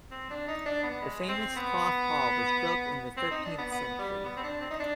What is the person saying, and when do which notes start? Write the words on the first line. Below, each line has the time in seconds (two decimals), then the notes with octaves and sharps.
The famous Cloth Hall was built in the thirteenth century.
0.11 C4
0.30 D4
0.48 D#4
0.66 D4
0.83 B3
1.02 G#3
1.29 C4
1.56 B3
3.17 C4
3.31 D#4
3.45 D4
3.58 B3
3.72 B3
3.99 G3
4.25 B3
4.37 C4
4.43 D4
4.61 C4
4.71 D#4
4.80 D4